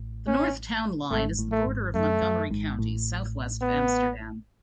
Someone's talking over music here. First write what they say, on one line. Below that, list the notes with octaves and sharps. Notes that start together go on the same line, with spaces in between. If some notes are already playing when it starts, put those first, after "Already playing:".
The north town line is the border of Montgomery County, southwest of Amsterdam.
Already playing: A1 A2
C#4
G#1 G#2 A3
A1 A2
A3
G#1 G#2
F#2 A3
F#2
G#1 G#2
A1 A2
B3